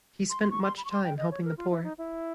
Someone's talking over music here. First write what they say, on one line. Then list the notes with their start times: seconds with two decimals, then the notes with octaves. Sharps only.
He spent much time helping the poor.
0.30 C6
0.43 C6
0.50 C#6
0.63 C6
0.78 B5
0.85 C#6
0.91 C6
1.04 G5
1.17 D#5
1.31 C#5
1.44 A#4
1.57 F4
1.71 E4
1.84 D#4
1.98 E4